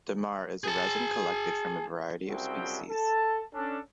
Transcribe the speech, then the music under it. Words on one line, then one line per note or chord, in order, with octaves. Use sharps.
Dammar is a resin collected from a variety of species.
G#4 A5
C2 C#3 F#3 C4 E5 G5
A4 A5
C#4 D4 A4